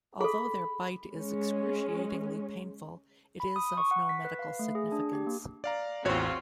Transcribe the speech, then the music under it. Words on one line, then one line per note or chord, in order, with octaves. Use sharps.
Although their bite is excruciatingly painful, it is of no medical significance.
G#4 A4 B5
G#3 C#4
B5
D#6
C#6
F#5
B6
B4
F5
A3
G#4
D4
G4
A#3
D5 F5 A#5
A1 E2 C4 F4 F#4 C#5